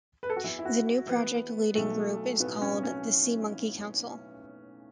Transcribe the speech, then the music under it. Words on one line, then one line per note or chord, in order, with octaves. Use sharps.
The new project-leading group is called the "SeaMonkey Council".
B4
A4
F#4
E2 E3 E4
E4
F#4
E2 E3 B3
B1 B2 F#3 A3
B1 A2 F#3 B3
C#4
C#4